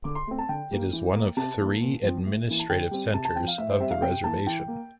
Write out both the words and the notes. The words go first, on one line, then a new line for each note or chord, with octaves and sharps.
It is one of three administrative centers of the reservation.
D3 D6
C6
A3 C4
A5
D3 G5
G3 A#3
E3
A#3
C3 A5
E3 A#3
A#2
F3 C4
A2
E3 A#3
A5
D3 G5
G3 C4
C3 A5
A5
F3 C4 G5
F5
A2 E5
C5
G3 C4 E5
F5
C3 G5
E3 A#3 A5
E3 G5
A#3